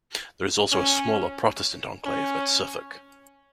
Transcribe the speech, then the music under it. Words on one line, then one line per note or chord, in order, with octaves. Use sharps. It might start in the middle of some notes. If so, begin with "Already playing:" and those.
There is also a smaller Protestant enclave at Suffolk.
C#4
C#4